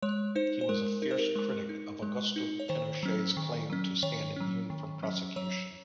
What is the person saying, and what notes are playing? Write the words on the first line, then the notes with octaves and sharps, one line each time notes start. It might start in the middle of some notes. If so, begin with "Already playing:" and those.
He was a fierce critic of Augusto Pinochet's claim to stand immune from prosecution.
G#3 C#5
D#4 C5
C5
G#3 A#4
D#4 A#4
C5
A#4
G#3 A#4
D#4
G#3
D#4
C#5
D#3 C5
F#3 C#4
D#3
F#3 C#4
D#3 C#5
F#3 C#4
D#3
F#3 C#4
F#3 C#5